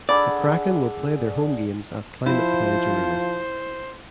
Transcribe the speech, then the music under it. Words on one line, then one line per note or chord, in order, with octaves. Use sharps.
The Kraken will play their home games at Climate Pledge Arena.
D4 G#4 A4 D5 F#5 B5 D6
F3 E4 C5